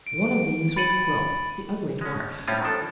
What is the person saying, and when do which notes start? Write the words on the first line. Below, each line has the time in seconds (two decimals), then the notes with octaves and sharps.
One of these was Quilp, the ugly dwarf.
0.07 D7
0.76 B5 A6 C#7 D#7 F#7
2.01 G#3 C#4
2.48 A2 G3 C4 C#4 F4
2.61 D#3 F3 D4 A4